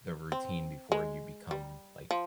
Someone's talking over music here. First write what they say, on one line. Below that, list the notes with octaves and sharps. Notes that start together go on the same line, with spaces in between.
the routine before you become, like,
C4
G#3
G3
F3